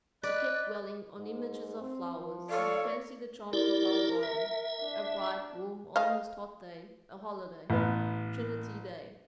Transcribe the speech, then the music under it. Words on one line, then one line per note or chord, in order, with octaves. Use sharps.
He kept dwelling on images of flowers, he fancied a charming flower garden, a bright, warm, almost hot day, a holiday--Trinity day.
B4 D5 D#5
G#2
C4
F3
A4 C#5 D5 F5
E4 G4 A#4 D5
E5
D4
D#5 F5
A1 B3